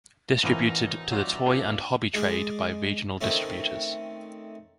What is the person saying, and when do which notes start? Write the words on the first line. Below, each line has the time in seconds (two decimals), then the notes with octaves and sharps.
Distributed to the toy and hobby trade by regional distributors.
0.43 A1 E3 F3 B3 D#4 A#4
1.12 F#3 F4 D5 E5
1.46 D2 B3 D4 F4 G#4
2.14 G#3 D4 G#4
3.21 D#3 A3 C4 C#4